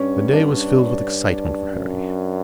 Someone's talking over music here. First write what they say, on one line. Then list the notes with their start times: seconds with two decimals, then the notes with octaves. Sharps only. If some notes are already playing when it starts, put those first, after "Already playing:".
The day was filled with excitement for Harry.
Already playing: G2 C#4
0.33 D4
1.73 F#2